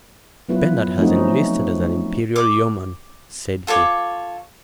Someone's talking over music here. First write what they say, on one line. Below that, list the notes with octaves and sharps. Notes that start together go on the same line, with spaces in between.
"Bernard has enlisted as an Imperial Yeoman," said he.
F#3 B3 E4 F4 B4
F3 A3 C4 C#4 D#4 F#4
D6
F4 A4 C#5 D6